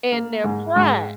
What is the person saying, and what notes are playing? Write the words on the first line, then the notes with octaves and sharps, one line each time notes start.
and their pride.
A#3
G#2
G#2